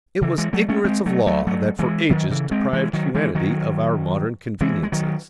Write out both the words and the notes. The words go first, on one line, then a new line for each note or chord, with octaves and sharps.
It was ignorance of law that for ages deprived humanity of our modern conveniences.
C#3 E3
E3 G#3
F#3 A3
A3 C#4
G#3 C4
F#3 A3
F#3 A3
F#3 A3
E3 G#3
D#3 F#3
C#3 E3
G#3 C4
E3 G#3
D#3 F#3
E3 G#3
D#3 F#3
E3 G#3
G#3
D#3 F#3